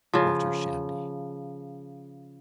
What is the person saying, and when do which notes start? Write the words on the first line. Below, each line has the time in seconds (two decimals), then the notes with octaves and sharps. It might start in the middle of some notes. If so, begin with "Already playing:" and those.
Walter Shandy.
0.14 C#3 F3